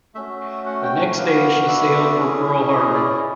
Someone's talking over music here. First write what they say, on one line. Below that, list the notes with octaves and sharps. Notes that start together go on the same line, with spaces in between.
The next day she sailed for Pearl Harbor.
A3 C#4 F#4 E5
F#5
G5
F#5
B3 D4 F#4 F5
F5
F5
E5
C#4 E4 G#4
D#5
D5
D#5